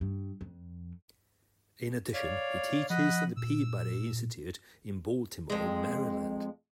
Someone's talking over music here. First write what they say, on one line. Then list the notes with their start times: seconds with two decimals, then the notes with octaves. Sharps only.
In addition, he teaches at the Peabody Institute in Baltimore, Maryland.
0.01 G2
0.41 F2
2.14 C#5 D5 F5
2.90 F3 D#5 F#5 B5
3.37 A#2 E6
5.50 F2 G#3